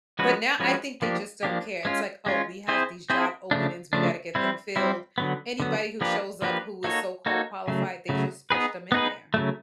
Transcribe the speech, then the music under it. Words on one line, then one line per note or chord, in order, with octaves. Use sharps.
But now I think they just don't care. It's like, "Oh, we have these job openings. We gotta get them filled." Anybody who shows up who was so-called qualified, they just pushed them in there.
F3 G#3 C#4 F#4 B4
F3 G#3 C#4 F#4 B4
F3 A#3 D4 G4
F3 A#3 D4 G4
G#3 C#4 F4
G#3 C#4 F4
C4 E4 G#4 C5
C4 E4 G#4 C5
C#3 F3 A3 D4
C#3 F3 A3 D4
G3 C4 E4
G3 C4 E4
D3 F#3 B3
D3 F#3 B3
F3 A#3 D4 G4 B4
F3 A#3 D4 G4 B4
A#3 D#4 F#4 A4 C#5
A#3 D#4 F#4 A4 C#5
C#3 F#3 A3
C#3 F#3 A3
B3 D#4 G#4 B4
B3 D#4 G#4 B4
C#3 F#3 A3